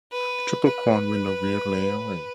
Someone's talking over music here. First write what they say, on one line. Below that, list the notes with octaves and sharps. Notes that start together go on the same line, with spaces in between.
Triple Crown winner Whirlaway.
B4
B4